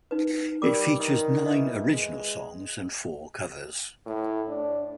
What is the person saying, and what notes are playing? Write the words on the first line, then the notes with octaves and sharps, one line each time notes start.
It features nine original songs and four covers.
D#4 B4
G3 A#4 D6
D#3
E3 D#5
G#3
A2
D4